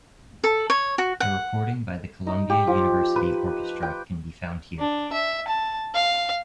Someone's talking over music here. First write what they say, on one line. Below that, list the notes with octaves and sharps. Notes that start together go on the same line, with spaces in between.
A recording by the Columbia University Orchestra can be found here.
A4
C#5
F#4
F#5
D#4
G4
F3
B4
G5
D4
E5
A5
F5